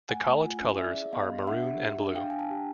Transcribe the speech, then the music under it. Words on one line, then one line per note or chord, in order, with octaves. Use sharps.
The College colours are maroon and blue.
A3 F#5 G#5
A3
F4
C#4
E4 D5 E5
G#4
B3 D#5 F5
B3
D4 E5 F#5
G4
G4
D4
D4 F5 G5
D4 G#5
G5 A5
G4